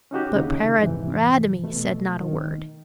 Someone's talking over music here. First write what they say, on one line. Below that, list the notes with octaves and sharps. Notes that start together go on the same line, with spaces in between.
But Paridamie said not a word.
C#4 D#4 F#4 G4
D#2 C#3 D#4
F2 G#2 C3 E3
B2 A3
D#3